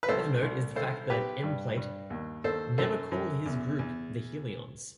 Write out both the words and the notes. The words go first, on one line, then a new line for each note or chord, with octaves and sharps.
Of note is the fact that Emplate never called his group the "Hellions".
B4
C2 A4 C5
C2
B1 A4 C5
B1 G4 B4
G2
G2
D#2
D#2 A4 C5
F#2 A4 C5
F#2
E2
E2